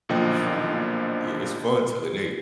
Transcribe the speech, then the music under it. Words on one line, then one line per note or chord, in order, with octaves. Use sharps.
True. Yeah, it's fun till it ain't.
B1 A#2 D3 F3 D#5 G5